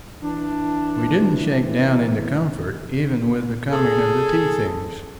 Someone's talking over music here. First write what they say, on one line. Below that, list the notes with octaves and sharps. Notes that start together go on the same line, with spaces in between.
We didn't shake down into comfort even with the coming of the tea-things.
E3 D4
G#4 A4